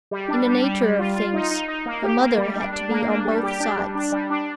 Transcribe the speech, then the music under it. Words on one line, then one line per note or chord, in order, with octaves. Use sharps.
In the nature of things, her mother had to be on both sides.
G3
D4
G3
G3
G3
F4
F4
D#4
D#4
D#4
A#3
G4
A#3
G3
D4
D4
A#3
D4
G3
G4
D4
G3
D4
G3
D4